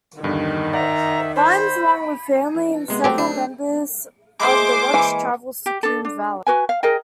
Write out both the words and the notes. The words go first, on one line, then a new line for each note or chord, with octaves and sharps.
Vimes, along with family and several members of the Watch, travels to Koom Valley.
E2 G2 D3 D#3
D5 E5 F#5 A#5
C5 B5
E3
C3 G#3 B3
F#3 A3 C4 G4
D4
G#3 A#3 E4 C5 D6
E3
G4
D4 A4
D4
F#4 B4 G#5
F5
G#4 A#4 D#5 G5